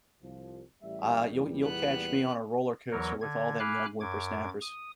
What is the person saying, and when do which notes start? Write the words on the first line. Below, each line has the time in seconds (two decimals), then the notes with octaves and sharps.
Ah, you'll you'll catch me on a roller coaster with all them young whippersnappers,
0.23 C2 F3
0.82 A1 G3 E5
1.31 E2 A#2 G3
1.62 B3 F#6
2.91 E2 E3 F#3 A#4 C#5
3.21 D3 G#6
3.59 F5 G#5 B5 D6 F6 F#6
4.00 F#2 D6 G#6
4.61 D#6